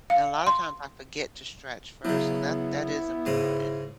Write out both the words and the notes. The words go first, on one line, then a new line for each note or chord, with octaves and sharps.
and a lotta times I forget to stretch first. So that that is important.
F5
C6
C#3 F#3 B3 E4
G#2 C#3 G#3